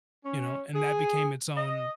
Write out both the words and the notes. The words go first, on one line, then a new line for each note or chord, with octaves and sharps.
you know, and that became its own
C#4
G#4
D#5